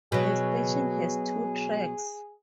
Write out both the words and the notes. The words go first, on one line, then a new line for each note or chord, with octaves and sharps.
The station has two tracks.
B2 F#3 G#4